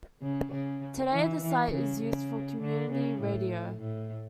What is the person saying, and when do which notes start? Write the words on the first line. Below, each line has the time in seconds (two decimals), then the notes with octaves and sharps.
Today the site is used for Community Radio.
0.22 C#3
0.52 C#3
1.12 E3
1.42 E3
1.72 C#3
2.02 C#3
2.62 D3
2.91 C#3
3.20 A2
3.81 A2